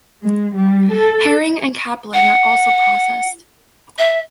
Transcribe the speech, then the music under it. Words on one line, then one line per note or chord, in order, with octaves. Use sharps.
Herring and capelin are also processed.
G#3
G3
A4
F#5
E5